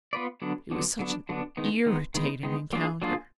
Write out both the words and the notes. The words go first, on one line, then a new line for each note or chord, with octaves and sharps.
It was such an irritating encounter.
B3 F4 B4 D5
D3 F#3 B3 D4
D3 F#3 B3 D4
D3 F#3 B3 D4
D3 F#3 B3 D4
D#3 G#3 B3 D#4
D#3 G#3 B3 D#4
D#3 G#3 B3 D#4
D#3 G#3 B3 D#4
F#3 A#3 D4 F4 G#4
F#3 A#3 D4 F4 G#4